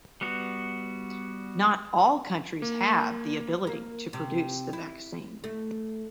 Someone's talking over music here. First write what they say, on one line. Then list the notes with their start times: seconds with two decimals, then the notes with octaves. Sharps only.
Not all countries have the ability to produce the vaccine.
0.21 G3 B3 F#4
2.62 A#3
3.67 A#3
4.13 C3
4.73 E4
5.44 A3